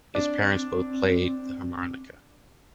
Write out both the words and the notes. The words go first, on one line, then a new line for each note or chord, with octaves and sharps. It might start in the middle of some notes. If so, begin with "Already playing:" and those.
His parents both played the harmonica.
C4 D4